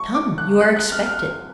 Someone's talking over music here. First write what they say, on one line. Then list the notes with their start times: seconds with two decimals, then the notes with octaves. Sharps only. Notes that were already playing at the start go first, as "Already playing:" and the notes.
"Come, you are expected!"
Already playing: C#6
0.15 D6
0.38 F#6
0.61 F#6
0.76 F#6
0.92 F6
1.06 F6